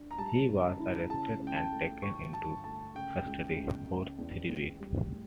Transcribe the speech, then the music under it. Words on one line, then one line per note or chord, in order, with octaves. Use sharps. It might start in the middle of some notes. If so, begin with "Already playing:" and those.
He was arrested and taken into custody for three weeks.
Already playing: D4
A#5
G3 A5
C#3
E4
C#3 A5
C#2
G5
A5
A3
D3 C#6
G2 A5
A3 A5
C#3 G5
C#2
C#2
C#3
E2
E2
G3
A2